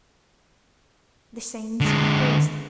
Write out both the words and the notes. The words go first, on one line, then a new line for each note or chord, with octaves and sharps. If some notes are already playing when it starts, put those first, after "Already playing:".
The saints be praised!
D3 G#3